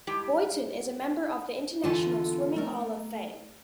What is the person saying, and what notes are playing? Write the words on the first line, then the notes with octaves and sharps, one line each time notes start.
Boyton is a member of the International Swimming Hall of Fame.
G2 G#3 E4 G4 G5
E2 D3 F4 A4 G#5 A5
A3 A#4